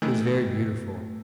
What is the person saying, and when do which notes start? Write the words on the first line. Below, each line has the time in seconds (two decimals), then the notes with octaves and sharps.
He was very beautiful.
0.02 D#3 E3 A3